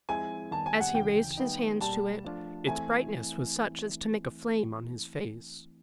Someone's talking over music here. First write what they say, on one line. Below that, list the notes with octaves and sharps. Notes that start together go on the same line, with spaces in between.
As he raised his hands to it, its brightness was such as to make a flame on his face.
F3 G#3 C4 E4 G#4 G#5
D#3 G3 B3 A5
G#5
F#5
D2 C#3 E3 G5
D#3 G3 B3 D#4
B2 G3 A#3 A5
F3 A3 D4 F4
E3 A3 C4 E4 G#5